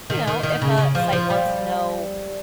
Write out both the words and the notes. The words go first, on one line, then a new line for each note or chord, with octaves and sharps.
you know, if a site wants to know,
D#3
D#3
D#3
C#3
C#3
F3
F3
G3